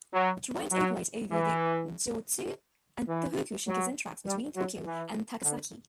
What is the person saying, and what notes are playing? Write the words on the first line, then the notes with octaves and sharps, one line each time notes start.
Trains operate over the Joetsu and Tohoku Shinkansen tracks between Tokyo and Takasaki.
F#3
F#3
E3
E3
F#3
G3
F#3
E3
D3